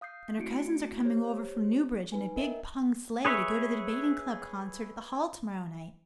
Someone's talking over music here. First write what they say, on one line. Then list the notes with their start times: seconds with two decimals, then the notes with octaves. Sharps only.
And her cousins are coming over from Newbridge in a big pung sleigh to go to the Debating Club concert at the hall tomorrow night.
0.01 F5 D#6 G6 C7
0.38 A3 C4 E4 F#4 C#7 D7
1.04 G4 C5 C#5
2.12 D#4 B4 G#5
2.36 A#4 D#5 E5 G5
3.25 G#4 B4 C#5 E5